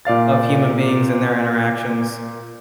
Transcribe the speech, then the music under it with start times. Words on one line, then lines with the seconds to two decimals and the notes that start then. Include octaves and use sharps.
of human beings and their interactions.
0.05 A#2 D5 F5 A6